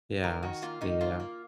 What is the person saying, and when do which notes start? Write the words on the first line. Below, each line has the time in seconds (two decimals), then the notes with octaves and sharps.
Yes, the, uh
0.23 D#3 A#4
0.43 D#3 F#4
0.62 A#3 F4
0.81 D#3 D#4
1.01 A#3 F4
1.20 A#3